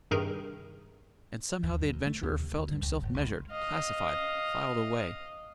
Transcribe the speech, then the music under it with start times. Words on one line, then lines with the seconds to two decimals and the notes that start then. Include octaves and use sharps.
And somehow the adventurer felt himself measured, classified, filed away.
0.11 G2 C3 D#3 G#4 A#4
1.63 D#2
1.79 G2
1.93 D2
2.06 A3
2.23 D#2
2.39 C3
2.53 D2
2.70 G2
2.82 C#2
3.03 G1
3.14 C#2
3.51 D#5 F5